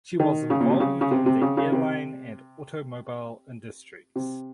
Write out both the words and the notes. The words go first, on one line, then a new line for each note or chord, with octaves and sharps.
She was involved in the airline and automobile industries.
D#3
C#3
A#2
C3
C#3
C#3
C3
C3
C#3
C#3
C3
C3